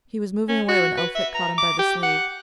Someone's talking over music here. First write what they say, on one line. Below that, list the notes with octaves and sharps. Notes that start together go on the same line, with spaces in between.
He was moving away when Elphick caught him by the sleeve.
C#4
F#4
B4
E5
A#5
D6
G4
F#5